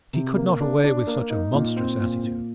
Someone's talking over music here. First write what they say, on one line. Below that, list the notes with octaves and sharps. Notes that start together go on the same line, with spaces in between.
But he could not away with such a monstrous attitude.
C3
A#3
D4
D4
A#3
D#4
A#2
C4
A#2
A#2